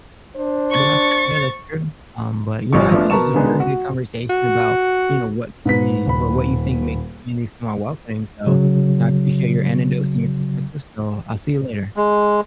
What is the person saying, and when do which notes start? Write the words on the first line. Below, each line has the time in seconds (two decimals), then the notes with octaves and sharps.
Yeah, yeah, that's true, um, but, you know, I thought this was a very good conversation about, you know, what community or what you think makes a community feel more welcoming, so, you know, I appreciate your anecdotes and your perspective, so I'll see you later.
0.36 D4 C5
0.71 C#6 A6
2.73 A1 G2 F3 C#6
2.91 F3 A3 B3 D4
3.10 B2 B3 A#4 A5 C#6 E7
3.33 B2 D3 D#3 G#3 B3 D#4
3.60 F#4
4.30 F#4
5.65 G#2 B4 B6
6.07 D#1 B5
8.47 C#3 F#3
11.97 G#3